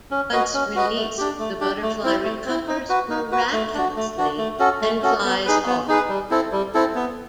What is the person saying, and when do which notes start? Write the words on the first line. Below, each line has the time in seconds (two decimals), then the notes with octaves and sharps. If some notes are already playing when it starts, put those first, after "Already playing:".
Once released the butterfly "recovers miraculously" and flies off.
0.11 C#4
0.32 F#4 B4 D#5
0.54 C#4
0.75 F#4 B4 D#5
0.96 A3
1.18 D4 G4
1.39 A3
1.61 D4 G4
1.82 A3
2.03 C4 E4
2.24 A3
2.46 C4 E4
2.68 D#4
2.89 F#4 B4
3.10 D#4
3.32 F#4 B4
3.53 A3
3.74 D4 F#4
3.96 A3
4.17 D4 F#4
4.38 A3
4.59 C#4 F#4 A4
4.82 A3
5.02 C#4 F#4 A4
5.24 B3
5.46 D#4 G#4 B4
5.66 B3
5.88 D#4 G#4 B4
6.09 G3
6.30 C4 E4 A4
6.52 G3
6.74 C4 E4 A4
6.95 B3